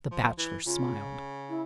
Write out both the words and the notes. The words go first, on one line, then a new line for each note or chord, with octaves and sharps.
The Bachelor smiled.
F3
E3
C#3 F4
E4